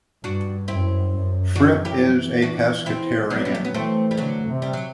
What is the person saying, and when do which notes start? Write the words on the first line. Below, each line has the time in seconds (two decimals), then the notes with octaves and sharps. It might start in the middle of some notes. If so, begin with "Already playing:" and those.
Fripp is a pescetarian.
0.24 G2 D4 F#4
0.68 F#2 C4 E4
1.12 F#2
1.55 E3 D4 F#4
1.84 F#3 E4 G4
2.14 E3
2.42 D4 F#4
2.86 C4 E4
3.30 F#3 B3 D4
3.45 G3
3.55 A3
3.65 B3
3.74 E3 A3 C4
4.11 G3
4.17 D3 F#3 A3
4.47 C3
4.62 G3
4.73 F#3